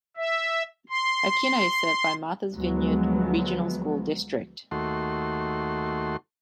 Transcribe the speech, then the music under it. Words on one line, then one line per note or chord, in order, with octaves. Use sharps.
Aquinnah is served by Martha's Vineyard Regional School District.
E5
C6
D2 F3 F#3 G#3 B3
D#2 A3 F#4 C6